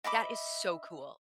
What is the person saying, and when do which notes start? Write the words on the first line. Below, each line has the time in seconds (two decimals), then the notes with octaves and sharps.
That is so cool.
0.04 D#5 E5 B5 D6